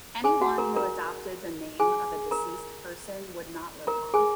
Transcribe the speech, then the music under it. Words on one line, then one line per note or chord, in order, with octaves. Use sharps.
Anyone who adopted the name of a deceased person would not live long.
G#4 G#5
F#4 F#5
A#4 A#5
A#4 A#5
G#4 G#5
A#4 A#5
A#4 A#5
G#4 G#5